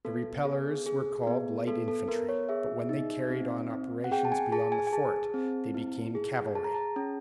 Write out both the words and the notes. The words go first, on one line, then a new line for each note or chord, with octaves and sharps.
The repellers were called light infantry; but when they carried on operations beyond the fort they became cavalry.
B3 A4
G#4
G#4
B3
B3 A4
A4
B3 A#4
C#5
G#4 E5
D#4
C4
C4
F#5
G#4 G5
A5
G#5
G#4 A5
G#5
G#5
G#4 A5
C4
E4
G#4
G#4 A5
A#5
A5
C#4